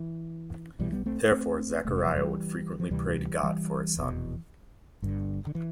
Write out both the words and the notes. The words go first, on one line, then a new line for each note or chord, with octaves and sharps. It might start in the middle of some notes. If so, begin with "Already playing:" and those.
Therefore, Zachariah would frequently pray to God for a son.
Already playing: E3
B1 B2 E3 G3
G3 B3
A3 C4
A3 C4
F1 E2 C3 A3
G3
F3
E3 G3
F3
D2 C3 E3 G3
E3 G3
F1 E2 B2
G1 G2 D3
D3
E3